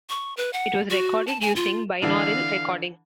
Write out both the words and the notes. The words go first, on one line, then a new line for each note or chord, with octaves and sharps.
It was recorded using binaural recording.
C#6
B4
F#5
F#4
A5
G#5
F4
D3 E3 D4 F5